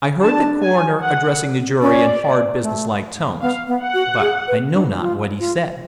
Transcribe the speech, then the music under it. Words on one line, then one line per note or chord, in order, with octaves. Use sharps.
I heard the Coroner addressing the jury in hard, business-like tones, but I know not what he said.
D4 A5
G#5
F#5
C#4 D5
A3
B3 F5
B3
F#5
F#4
G#4
B4
D4
F4
F4